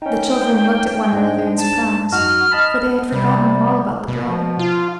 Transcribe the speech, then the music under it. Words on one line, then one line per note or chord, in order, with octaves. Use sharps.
The children looked at one another in surprise, for they had forgotten all about the bread.
C#4 D#4 G5
G#2 D4
A5
F#2 D#4 F#4 F6
D#5 A5 B5
C3 G3
B2
F3
F4